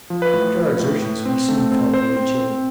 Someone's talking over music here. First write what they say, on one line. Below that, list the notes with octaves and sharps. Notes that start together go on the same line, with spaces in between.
After our exertions we soon felt very chilly.
F3
B4
A2
F3
A2
A2
C4
A3
C4
C4 C5
C4
C4